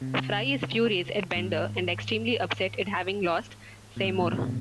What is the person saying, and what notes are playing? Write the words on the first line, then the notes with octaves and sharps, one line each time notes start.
Fry is furious at Bender and extremely upset at having lost Seymour.
C3
G#2
A#2
G#2
A#2
C3